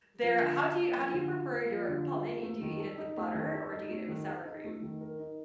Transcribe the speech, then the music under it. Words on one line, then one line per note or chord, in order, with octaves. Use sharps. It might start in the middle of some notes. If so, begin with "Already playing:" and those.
There How do you how do you prefer your pelmeni? Do you eat it with butter, or do you eat it with sour cream?
F3
D3
F4
A#3
F3
D3
F4
A#3
F3
D3
F4
A#3
A3
D#3
A4
D#4
A3
D#3
A4
D#4
A3
D#3
A4
D#4
A3
D#3
A#4
D#4